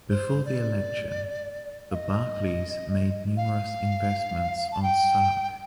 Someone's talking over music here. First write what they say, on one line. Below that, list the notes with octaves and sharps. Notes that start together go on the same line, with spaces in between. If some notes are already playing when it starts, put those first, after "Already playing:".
Before the election, the Barclays made numerous investments on Sark.
C5
D5
F5
D#5
F5
A5
G5